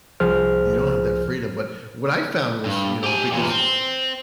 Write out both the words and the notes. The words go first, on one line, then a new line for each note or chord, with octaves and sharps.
You don't have that freedom, but what I found was, you know, because
C2 F3 G#4 C5 F6
G2
G4 G#5
E2 A#2
C4